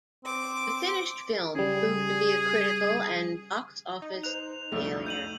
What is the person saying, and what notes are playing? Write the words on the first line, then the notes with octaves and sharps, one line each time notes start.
The finished film proved to be a critical and box office failure.
C4 D6
C#3 G3 G#4
D#4
C5 F#6 F7
C2 F2 B2 A3
G6 D#7 F#7